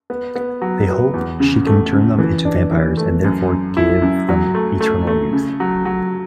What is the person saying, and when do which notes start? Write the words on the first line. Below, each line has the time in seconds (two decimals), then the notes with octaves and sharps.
They hope she can turn them into vampires and therefore give them eternal youth.
0.10 B3
0.35 B3
0.62 F#3
0.88 B3
1.14 E2
1.40 C#3
1.67 A3
1.93 C#3
2.19 E3
2.45 D4
2.72 E3
2.97 A3
3.24 F#2
3.50 F#2
3.77 E4
4.02 F#2
4.29 F#3
4.55 A3
4.81 A3
5.07 A3
5.33 C#3
5.60 F#3
5.85 F#3